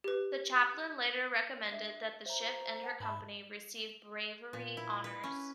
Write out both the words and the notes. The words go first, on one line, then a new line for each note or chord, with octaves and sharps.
The chaplain later recommended that the ship and her company receive bravery honours.
G4 B4
D4 E5
C5 C#5 E5 A#5
F#4
F5 F#5 A5
G#2 E5 A5 B5
A#2
E4
B4
C#4